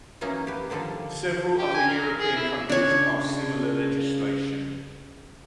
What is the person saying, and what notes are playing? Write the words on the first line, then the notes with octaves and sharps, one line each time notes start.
Several other European countries passed similar legislation.
E3 F#3 A#3 C#4 D#4
G4 B4
D3 D#3 F3 G3 A4
G4
G#5
A#4
G#4
E4
C#3 D4 C#5